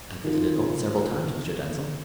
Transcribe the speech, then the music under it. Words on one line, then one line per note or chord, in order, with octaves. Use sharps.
"I've visited both several times, Mr. Denzil."
D#3 F4